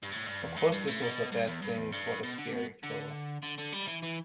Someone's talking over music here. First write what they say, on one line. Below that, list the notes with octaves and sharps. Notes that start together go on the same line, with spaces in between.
Of course this was a bad thing for the Scarecrow.
G2
A2
G2
E2
G2
G2
A2
B2
G2
E2
G2
E2
G2
B2
D3
B2
D3
D3
D3
G3
E3
E3